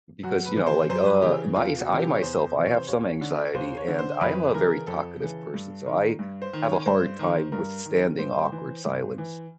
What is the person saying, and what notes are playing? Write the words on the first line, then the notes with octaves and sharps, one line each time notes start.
Because, you know, like, uh, mys I myself, I have some anxiety, and I'm a very talkative person. So, I have a hard time withstanding awkward silence.
F#2 F#4
B4
C#3 E3
C5
F#2 C5
B4
C#3 E3 G4
E2 F4
F#4
C3 E3
G4
C#5
E2 C5
C3 E3
C#5
C5
D#2 C#5
D3
D#2 C5
C#5
D3
C5
F2 B4
C#3 E3 A#4
F2 A4
C#3 E3
G2
D#3
G2
C5
D#3
C#5
G2 C5
D#3
G2 A#4
D#3
G2 C5
E3
G2
E3